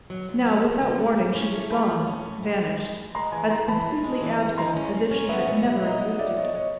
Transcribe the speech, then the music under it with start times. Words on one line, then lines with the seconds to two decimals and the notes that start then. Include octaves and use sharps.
Now, without warning, she was gone, vanished, as completely absent as if she had never existed.
0.10 F#3
0.28 D2
0.45 F#3
0.64 D3
0.82 D3
0.99 F3
1.18 A2
1.35 C#4
1.54 A3
1.71 A3 A5 B5
1.90 C#4
2.07 C#4
2.25 A2
2.43 C3
2.61 G#3
2.78 G#3
2.96 D2
3.15 G#3 A#5 C6
3.32 E3 G#5 A#5
3.50 D2 A#5 C6
3.68 E3 A5 B5
3.86 C#4
4.04 G#3
4.22 E3
4.39 E3
4.58 G#3 A#5 C6
4.76 C#4
4.94 C#4
5.11 C#4
5.29 B3 E5 F#5
5.47 B2
5.65 F#3
5.83 D#4
6.01 F#3
6.18 B2 D5 E5
6.36 B2 C#5 D#5
6.54 B2 C#5 D#5